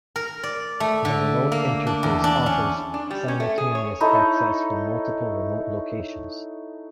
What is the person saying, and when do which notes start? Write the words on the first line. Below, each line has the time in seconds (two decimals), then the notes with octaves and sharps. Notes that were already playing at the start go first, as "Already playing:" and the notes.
The remote interface offers simultaneous access from multiple remote locations.
0.16 A#4
0.43 D5
0.80 A3
1.05 D3
1.52 A#3
1.87 D4
2.03 E2
2.24 D4
2.46 C#4
2.94 D4
3.11 G3
3.28 C#4
3.40 A3
3.58 G#4
3.75 C#5
4.01 D#4 E4 A4 C#5